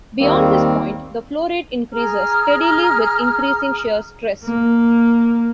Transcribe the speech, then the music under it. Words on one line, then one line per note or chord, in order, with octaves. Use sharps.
Beyond this point the flow rate increases steadily with increasing shear stress.
D#2 D#3 G3 A#3 C4
G#4 A#5 F6
A#3